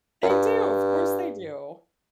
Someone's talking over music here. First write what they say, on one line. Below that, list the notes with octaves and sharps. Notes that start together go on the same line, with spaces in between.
They do, of course, they do.
F#2
G2